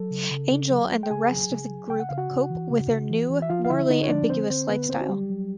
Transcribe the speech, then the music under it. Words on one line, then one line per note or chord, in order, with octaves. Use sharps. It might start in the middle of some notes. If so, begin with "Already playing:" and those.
Angel and the rest of the group cope with their new, morally ambiguous lifestyle.
Already playing: F#3 A4
C#3
C#3
C#3
F#3
A3
G5
C#3 G#4 G#5
F#3
C#3
F#3
C#3 G5
F#5
C#3 F5
F#4 F#5
C#3
E3
C#3
C#3
E3
E3
E5
F3 F4 F5
F5
D3 E4 E5
D3 D#4 D#5
C#5
F3 D4 D5
D3 C4 C5
D3 C4 C5
D3 B3 B4
D3 C4 C5
F#4
F#3 G3 G4
F#3